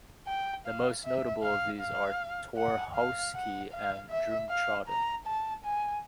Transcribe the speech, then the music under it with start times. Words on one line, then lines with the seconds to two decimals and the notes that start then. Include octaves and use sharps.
The most notable of these are Torhousekie and Drumtroddan.
0.27 G5
0.66 F5
1.04 E5
1.43 F5
1.80 F5
2.57 F#5
2.95 F5
3.34 F#5
3.72 F5
4.10 E5
4.49 F5
4.88 A#5
5.26 A5
5.64 G#5